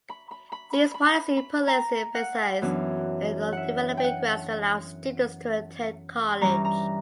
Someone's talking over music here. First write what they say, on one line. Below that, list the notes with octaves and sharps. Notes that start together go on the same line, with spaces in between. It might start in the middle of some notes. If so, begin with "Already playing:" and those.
These policies put less emphasis on developing grants to allow students to attend college.
B5
B5
B5
B5
B5
B5
B5
A#5
F#5
F#2 E3 B3 D4
E5 F#5
G5
F#5
G2 E3 G3 C#4 A#5
A#5